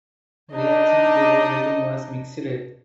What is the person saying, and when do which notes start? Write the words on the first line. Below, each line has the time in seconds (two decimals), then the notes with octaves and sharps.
Reaction to the building was mixed.
0.55 D4 D#4 D#5